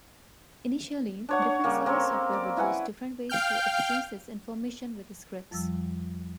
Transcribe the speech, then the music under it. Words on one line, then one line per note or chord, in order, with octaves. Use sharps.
Initially, different server software would use different ways to exchange this information with scripts.
D4 C#5 F#5
C#5
C#3 G3 A#3
A#3 C4 A4 C#5
D5
E4 B4 F#5 G#5
F5 G5 F6 G6
F2 F3 G3 E6